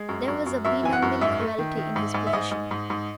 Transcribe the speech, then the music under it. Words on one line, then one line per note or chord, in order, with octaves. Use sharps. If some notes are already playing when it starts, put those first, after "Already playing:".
There was a benumbing cruelty in his position.
Already playing: G#3
F#2
F#2
F#2
F#2 E5
E3 G#5
F#5
F#2
G#2 E5
A3
D#3
D#3
G#2
G#2
E5
G#2 D#5
G#2
G#2
G#2